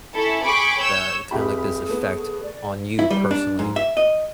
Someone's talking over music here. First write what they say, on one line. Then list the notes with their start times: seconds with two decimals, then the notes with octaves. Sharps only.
uh, kinda like this effect on you personally
0.13 C#4 E4 A4
0.44 G#4 G5 B5 C#6 D6
0.79 C#5 E6 G6
1.31 F1 G4 G#4 B5
1.88 A3 B3
2.43 D5
2.99 E4
3.10 G3
3.31 D4
3.59 G#2
3.76 E5
3.97 D#5